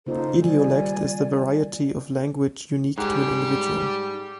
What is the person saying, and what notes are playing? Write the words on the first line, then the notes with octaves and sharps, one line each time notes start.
Idiolect is the variety of language unique to an individual.
C#3 A#3 D#4 F4 A4 C5
D#3 G3 D5 G#5
G3
G#2 G3 G4